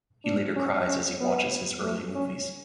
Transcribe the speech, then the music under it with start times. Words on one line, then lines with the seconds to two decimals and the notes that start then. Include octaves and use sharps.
He later cries as he watches his early movies.
0.24 D4
0.56 C#4
0.88 C#4
1.20 B3
1.83 A3
2.15 C#4